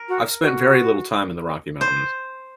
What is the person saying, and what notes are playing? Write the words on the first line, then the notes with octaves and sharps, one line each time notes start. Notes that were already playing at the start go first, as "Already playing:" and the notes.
I've spent very little time in the Rocky Mountains.
Already playing: A#4
F#4
F#4
C5